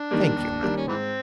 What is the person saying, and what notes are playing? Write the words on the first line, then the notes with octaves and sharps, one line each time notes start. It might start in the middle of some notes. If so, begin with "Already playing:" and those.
"Thank you, madam."
Already playing: D4
D#3 G3 A#3
D#2
D#3 G3 A#3
C#4
G#2 E3 C4